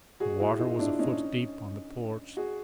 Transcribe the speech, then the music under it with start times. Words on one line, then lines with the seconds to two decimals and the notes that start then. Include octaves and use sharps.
The water was a foot deep on the porch.
0.20 F#4 G#4
0.40 E4 F#4
0.59 D#4 F4
0.79 D4 E4
0.99 C#4 D#4
2.37 F#4 G#4